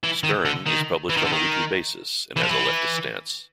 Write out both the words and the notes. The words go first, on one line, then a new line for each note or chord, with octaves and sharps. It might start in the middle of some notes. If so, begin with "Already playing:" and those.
"Stern" is published on a weekly basis and has a leftist stance.
E3
D#3
D3
D#3
E3
D#3
D3
D#3
E3
F3
E3